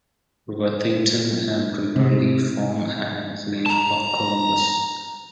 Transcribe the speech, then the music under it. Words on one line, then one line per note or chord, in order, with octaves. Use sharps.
Worthington and Riverlea form an enclave of Columbus.
C3
A5 A#5